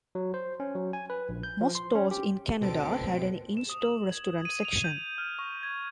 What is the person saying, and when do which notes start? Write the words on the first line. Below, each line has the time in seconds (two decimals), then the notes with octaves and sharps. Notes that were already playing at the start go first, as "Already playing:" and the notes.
Most stores in Canada had an in-store restaurant section.
0.15 F#3
0.34 C5
0.60 C#4
0.75 F#3
0.93 G#5
1.10 B4
1.29 A#1
1.43 G6
1.61 F3
1.75 C6
1.95 C#4
2.11 G4
2.61 D2 B2 D3 C4 A4 D7
3.57 E7
3.70 D#6
3.81 F#7
4.11 G#6
4.45 D#7
4.65 F7
4.84 G6
5.18 F6
5.39 C#6
5.63 G#6